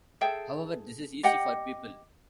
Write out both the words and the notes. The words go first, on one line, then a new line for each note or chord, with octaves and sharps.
However, this is easy for people.
G#4 A4 E5 G5
G4 D#5 F#5 G5